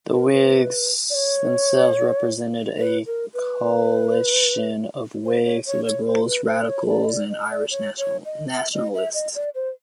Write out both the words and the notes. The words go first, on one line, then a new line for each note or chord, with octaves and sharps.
The Whigs themselves represented a coalition of Whigs, Liberals, Radicals, and Irish nationalists.
A#4
B4
D5
C#5
B4
A#4
B4
C5
C#5
C#5
C#5
C5
B4
C5
D5
C#5
D5
D#5
D5
D#5
D5
C#5
C#5
D#5
E5
D#5
E5
D#5
D5
C5